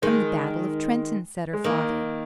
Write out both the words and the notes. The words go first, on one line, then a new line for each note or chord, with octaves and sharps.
"From the battle of Trenton," said her father.
D#3 G#3
G#3
D#3 A#3